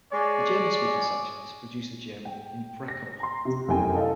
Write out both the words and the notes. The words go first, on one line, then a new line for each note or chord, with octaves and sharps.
The German-speaking sections produce the German "Inprekorr".
G#3 C#5 D5
G5
A#6
A#5 C6
C3
F1 F#2 C3 E4 G5 G#5
A4 D#5 F5